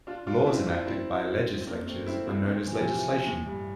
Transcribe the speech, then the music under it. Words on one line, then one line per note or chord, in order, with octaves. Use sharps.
Laws enacted by legislatures are known as legislation.
D4 F4
D4 F4
C4 E4
D4 F4
C4 E4
C4
A#3 D4
A3 C4
C4 E4
C4 E4
A3 C4
E3
F3
C3 E3
A2
G2